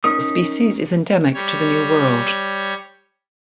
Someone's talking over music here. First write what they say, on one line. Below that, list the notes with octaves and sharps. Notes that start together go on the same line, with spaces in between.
The species is endemic to the New World.
C#4 D#4 A#4 D#6
G3 C#5